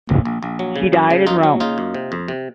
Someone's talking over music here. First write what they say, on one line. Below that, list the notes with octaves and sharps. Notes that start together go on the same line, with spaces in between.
She died in Rome.
A#1
A#1
A#1
F#3
C#3
F#2
C#3
F#2 D#4 F4
F#3
C#3 D#4 F4
F#2
C3
F2
C3